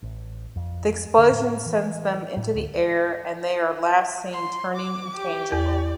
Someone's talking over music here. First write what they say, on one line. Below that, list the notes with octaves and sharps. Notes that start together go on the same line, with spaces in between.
The explosion sends them into the air and they are last seen turning intangible.
A1
F2
D3
A2
E3
A2
D2
C6
D6
G4
E2 D5